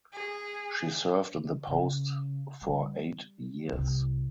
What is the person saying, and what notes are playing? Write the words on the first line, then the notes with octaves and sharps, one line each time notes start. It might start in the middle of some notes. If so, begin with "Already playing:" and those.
She served in the post for eight years.
G#4
C#3
G3
C2